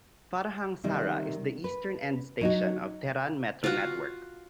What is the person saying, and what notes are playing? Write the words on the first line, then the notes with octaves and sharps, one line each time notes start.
Farhang Sara is the eastern end-station of Tehran Metro network.
C3 D#3 G3
B4
F#3 D#4 F#4
F4 F#4